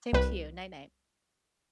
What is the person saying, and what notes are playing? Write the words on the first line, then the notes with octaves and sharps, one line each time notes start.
Same to you, night night.
C2 B4